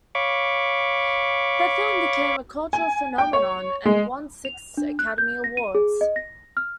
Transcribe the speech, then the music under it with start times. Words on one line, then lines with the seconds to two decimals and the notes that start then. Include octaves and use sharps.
The film became a cultural phenomenon, and won six Academy Awards.
0.15 C#5 F5 B5 C#6 D6
2.73 G#5
3.18 G5
3.33 C#5
3.85 G#3
4.45 F7
4.77 D4
4.99 F#6
5.18 G6
5.44 A#6
5.57 D#7
5.75 G#4
6.01 D#5
6.16 A#6
6.57 F6